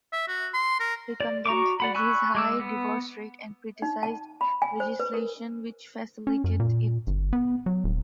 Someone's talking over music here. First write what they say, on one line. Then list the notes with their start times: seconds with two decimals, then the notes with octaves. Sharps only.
He condemned Fiji's high divorce rate, and criticized legislation which facilitated it.
0.12 E5
0.28 F#4
0.54 C6
0.80 A#4
1.20 D5
1.46 F#4 A#5 C#6 D6
1.80 D5 F#5 B5
1.95 G#5 B5 C#6 E6 F#6
2.35 G#3 D6 E6
2.60 B3
3.82 D#4
4.03 A5
4.41 B5
4.62 G#5
4.80 C5
5.00 B4
5.14 A#4
6.27 C#4
6.44 F#2
6.60 A#2
7.07 G1
7.33 B3
7.66 F#3
7.84 D#1